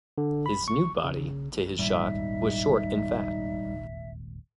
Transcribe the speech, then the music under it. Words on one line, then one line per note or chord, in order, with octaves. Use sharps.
His new body, to his shock, was short and fat.
D3
B5
C#6
C#3
D#1 G#1 E2 G3 D#4 E5